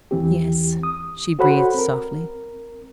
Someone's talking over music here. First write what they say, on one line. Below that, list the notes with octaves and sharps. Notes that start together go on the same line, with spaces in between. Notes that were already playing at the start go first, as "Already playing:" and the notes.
"Yes," she breathed softly.
E2 E3 C4 G4
D#6
F#4 A4 C5 C#5 F#5 B5
C4 A#4